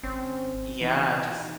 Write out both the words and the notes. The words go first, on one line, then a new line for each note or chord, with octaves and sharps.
Yeah, just
G#1 C4 C#4
E3 D#4